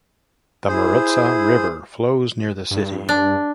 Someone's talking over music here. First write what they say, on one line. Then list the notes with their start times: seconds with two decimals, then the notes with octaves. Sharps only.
The Maritsa River flows near the city.
0.68 E4 G#4 C5
2.71 G2
3.09 D4